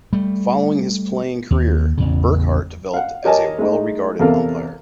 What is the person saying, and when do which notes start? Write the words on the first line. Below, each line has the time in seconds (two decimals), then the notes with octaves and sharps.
Following his playing career, Burkhart developed as a well-regarded umpire.
0.13 G3 A3
1.51 D#2
1.98 A1 E2 C#3
2.94 F5 F#5
3.25 G4 A#4 C#5 D#5 G#5 A5
3.58 G#3 A3 D#4
4.20 E2 C3 A4 A#4 F5